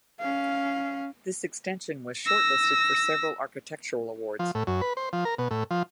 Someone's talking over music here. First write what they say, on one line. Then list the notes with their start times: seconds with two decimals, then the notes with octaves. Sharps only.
This extension was shortlisted for several architectural awards.
0.20 C#4 F5
2.27 E6 A#6
4.39 F3
4.55 A2
4.67 F#2
4.81 B4
4.97 C5
5.13 F3
5.25 A#4
5.38 B2
5.51 A2
5.71 F3